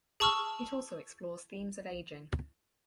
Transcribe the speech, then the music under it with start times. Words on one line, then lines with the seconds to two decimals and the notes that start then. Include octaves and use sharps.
It also explores themes of aging.
0.20 G#4 A5 C#6 E6 F6